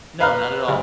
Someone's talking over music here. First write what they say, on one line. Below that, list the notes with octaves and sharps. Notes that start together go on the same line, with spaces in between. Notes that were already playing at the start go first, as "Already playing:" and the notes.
No. Not at all.
B4 F5 A#5 B5 F6
F#1